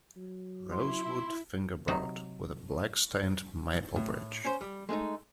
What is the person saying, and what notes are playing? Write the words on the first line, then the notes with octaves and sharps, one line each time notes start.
Rosewood Fingerboard, with a Black-Stained Maple bridge.
F#3
E4 C6
C3 F#3 D#4
A2
C#4 C5
G3
G#3 A3 D4 D#4